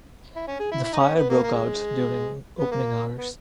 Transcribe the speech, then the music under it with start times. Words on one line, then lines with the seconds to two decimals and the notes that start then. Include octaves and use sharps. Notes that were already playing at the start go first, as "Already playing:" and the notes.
The fire broke out during opening hours.
0.36 E4
0.48 C#4
0.60 G#4
0.71 E4
0.83 E4
0.93 D#4
0.99 C#4
1.15 B3
1.30 A#3
1.43 A#3
1.53 G#3
2.60 B3
2.71 A#3
3.17 B3